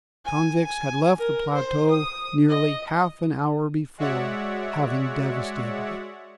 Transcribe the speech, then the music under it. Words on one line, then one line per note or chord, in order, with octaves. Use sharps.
The convicts had left the plateau nearly half-an-hour before, having devastated it!
G#5
G#5
A#4
C5
D#6
D#5
G#3 F#4 C#5 D5 E5 F#5